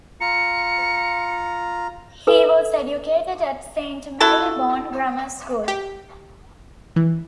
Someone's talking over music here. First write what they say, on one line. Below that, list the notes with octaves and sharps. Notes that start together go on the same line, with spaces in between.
He was educated at Saint Marylebone Grammar School.
F4 A#5 C#7
A4 B4 G#5
E4 F#4 A4 A5
G4
E3